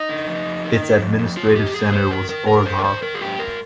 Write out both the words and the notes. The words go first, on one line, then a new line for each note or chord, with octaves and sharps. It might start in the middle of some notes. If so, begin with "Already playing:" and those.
Its administrative centre was Orlov.
Already playing: D#4
D3
F2
F2
D#3
D#3
F2
F2
D#3 F4
D#3 G4
F2 G#4
F2 C5
D#3 A#4
D#3 A#4
G#2 A#4
G#2 C5
A#4
D#3 C5
D#3 A#4
G#4
G#2 G4
G#2 A#4